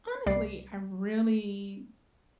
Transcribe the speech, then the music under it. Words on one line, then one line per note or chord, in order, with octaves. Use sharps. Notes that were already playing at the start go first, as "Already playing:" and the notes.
honestly, I really
C2 G3 D5 C7